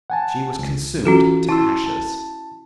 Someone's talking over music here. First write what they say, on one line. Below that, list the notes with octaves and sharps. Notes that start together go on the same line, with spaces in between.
She was consumed to ashes.
F#5 G#5 A5
C#2
E3 C#4 F4 F#4 A4
E4 A5 C6 E6
A5